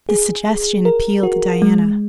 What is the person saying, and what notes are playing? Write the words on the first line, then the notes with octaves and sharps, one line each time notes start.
The suggestion appealed to Diana.
G#4
A#4
F#4
G#3